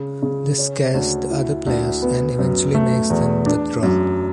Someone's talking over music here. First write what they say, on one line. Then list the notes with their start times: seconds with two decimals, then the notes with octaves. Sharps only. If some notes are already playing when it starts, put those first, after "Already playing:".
This scares the other players and eventually makes them withdraw.
Already playing: C#3
0.22 C#3
0.58 C#4
0.94 D2
1.30 E4
1.67 D2
2.02 B3
2.39 F#2
2.75 A3
3.10 E2
3.46 D4
3.83 F#2